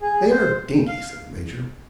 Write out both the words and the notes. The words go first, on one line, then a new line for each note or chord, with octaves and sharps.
"They are dainty," said the Major.
G#4
C5
F5